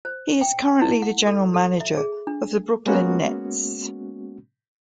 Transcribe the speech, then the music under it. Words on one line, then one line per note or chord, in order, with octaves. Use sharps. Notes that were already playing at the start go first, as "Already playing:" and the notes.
He is currently the general manager of the Brooklyn Nets.
C5
G5
E4
F#5
A4
A4
E5
G#4
D4
G#3 A#3 B3 C#4 F#4